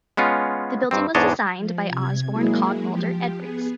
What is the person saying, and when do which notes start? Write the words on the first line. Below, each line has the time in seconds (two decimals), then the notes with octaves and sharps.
The building was designed by Osborne Cadwallader Edwards.
0.17 G#3 B3 C#4 F4
0.91 G2 C4
1.15 E2 G#2 D4 C#5 D#5 A5
1.58 F3
1.88 C3 G#6
2.31 F#3 G#3 A#3 E4 G#4
2.85 F3 G4
3.37 B3 G#4